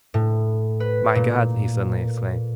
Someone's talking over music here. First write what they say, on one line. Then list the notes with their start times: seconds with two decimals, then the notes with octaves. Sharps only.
'My God!' he suddenly exclaimed.
0.14 A2
0.80 B4
1.15 A#2